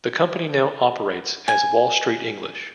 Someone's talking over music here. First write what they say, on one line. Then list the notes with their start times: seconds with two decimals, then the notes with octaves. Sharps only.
The company now operates as Wall Street English.
1.48 G#5